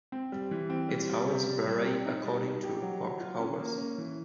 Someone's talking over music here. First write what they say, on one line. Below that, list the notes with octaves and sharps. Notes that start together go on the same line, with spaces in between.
Its hours vary according to park hours.
C4
G3
E3
C4
G3
G3
C3
G3
G3
C4
D#4
G3
D#4
G4
F#3
F#3
F4
C#4
A#3
C#4
E3